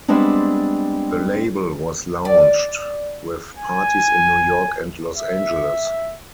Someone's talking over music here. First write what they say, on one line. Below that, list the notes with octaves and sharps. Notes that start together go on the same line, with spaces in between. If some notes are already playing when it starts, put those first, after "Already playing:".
The label was launched with parties in New York and Los Angeles.
G3 G#3 B3 C4 D4
D5
G#5
E5